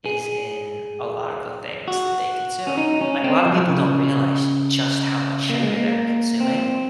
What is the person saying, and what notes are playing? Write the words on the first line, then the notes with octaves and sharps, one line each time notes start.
is in a lot of the things that they consume. Like, a lotta people don't realize just how much sugar they're consuming,
G#4
F#4
C#4
D#4
C#4
C4
F3
F#3
F3
C#3
A#3
G#3
A#3
C4